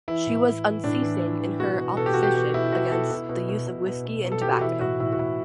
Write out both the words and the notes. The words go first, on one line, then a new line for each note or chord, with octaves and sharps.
She was unceasing in her opposition against the use of whisky and tobacco.
E3 E4
A2
E3
E3
A2 D4
E3
E3
E3
B2 F#4
B2
B2 A4
G4
B2 F#4
G4
B2 G4
B2 E4
B2 F#4
B2 A4
B2 E4
B2
B2
B2
B2
B2
B2
A4
B2 G4
F#4
E3 E4
A2 F#4
A2 E4
F#4
A2 E4